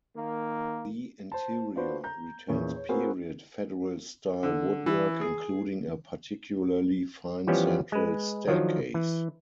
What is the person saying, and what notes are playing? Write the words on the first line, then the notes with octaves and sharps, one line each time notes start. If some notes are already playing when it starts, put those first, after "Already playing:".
The interior retains period Federal style woodwork, including a particularly fine central staircase.
D#3 A#3
C5 A5
D4 F4 F#4 B4 C5
A#5 G6
E2 A#2 C#4
C#5
A#3 C4 F#4 G#4 A#4 B4
D3
E3
G#4
E3 F3 G3 B3 C#4 G4
G#3 B4
D#3 F3 F#3 D4
E3